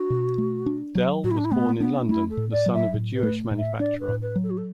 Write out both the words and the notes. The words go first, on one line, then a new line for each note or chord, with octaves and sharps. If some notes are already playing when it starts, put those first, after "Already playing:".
Dell was born in London, the son of a Jewish manufacturer.
Already playing: D4 F#4
B2
A3
D4
F#3
A2 F#4
E4
D4
E4
A3 B3
B3 D4
A3 E4
A4
A2
D5
F#3
E5
A2
B4
A3
A2
E5
D4 D5
B4
A2
B4
F#3
A4
F#4
A4